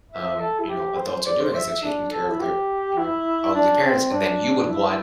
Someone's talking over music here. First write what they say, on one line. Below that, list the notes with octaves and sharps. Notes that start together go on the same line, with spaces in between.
um, you know, adults are doing is they're taking care of their, you know, elderly parents. And then you would want
E5
A4
E4
G4
C5
D5
C5
E5
E5
D4
A4
E4
G4
E4
D4
C4
D4
E4